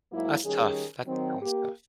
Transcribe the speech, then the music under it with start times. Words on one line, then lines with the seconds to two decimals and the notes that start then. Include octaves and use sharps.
That's tough. That sounds tough.
0.12 G#2 F#3 A#3 E4
0.44 D#3 G3 C#4 G#4
1.05 D#3 F#3 C4
1.42 A#3 G4